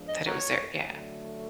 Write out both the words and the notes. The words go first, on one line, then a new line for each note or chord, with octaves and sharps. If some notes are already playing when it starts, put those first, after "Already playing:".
That it was there. Yeah.
Already playing: F3 G#3 B3 D4
D#5
F#4 A#4 C#5
D3 F#3 A3